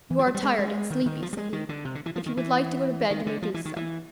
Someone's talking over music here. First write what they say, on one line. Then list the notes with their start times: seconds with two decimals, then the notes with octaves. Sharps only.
"You are tired and sleepy," said he; "if you would like to go to bed you may do so."
0.10 E3
0.19 F3
0.27 F#3
0.35 G3
0.43 G#3
0.59 G#3
0.90 D#3
1.06 D#3
1.22 F3
1.33 G3
1.37 G#3
1.53 D#3
1.69 D3
1.85 C3
1.95 D3
2.06 E3
2.16 F3
2.26 D#3
2.37 E3
3.11 D#3
3.26 D3
3.42 F3
3.54 E3
3.65 D#3
3.76 E3